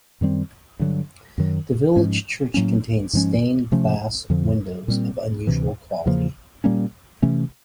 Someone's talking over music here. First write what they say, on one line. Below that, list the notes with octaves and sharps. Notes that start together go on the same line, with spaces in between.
The village church contains stained glass windows of unusual quality.
F#2 D#3 G3 C4
G2 D3 F#3
F#2 D#3 F#3
G#2 F3 G#3 C#4
A2 F#3 A#3 C#4
G#2 F3 G#3 C#4
C3 F3 A3 C#4
F2 D3 F3
A#2 G3 C4
D2 C3 E3
E2 C#3 F3 A#3
A#2 G3 A#3 C#4
C3 E3 A3 C#4